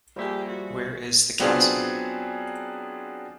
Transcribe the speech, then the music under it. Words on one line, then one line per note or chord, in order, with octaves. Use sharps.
Where is the Council?
F3 G3 A#3 G4 G#4 E5
F#4
F#3 B3 C4 D4 F4 G#4